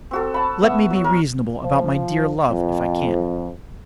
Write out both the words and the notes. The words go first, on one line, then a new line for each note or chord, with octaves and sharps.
Let me be reasonable about my dear love, if I can.
C4 F#4 A4
A5 B5
B3 E5 F#5
F#3
A#4
F3
F2